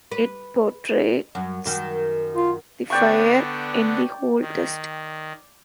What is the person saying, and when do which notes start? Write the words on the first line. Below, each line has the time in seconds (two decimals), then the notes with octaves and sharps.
It portrays the fire-in-the-hole test.
0.11 B4
1.35 F#2
1.65 F#2 D#3
2.35 F4
2.90 D3 B3 D4 D5 G5 C#6
4.41 D#3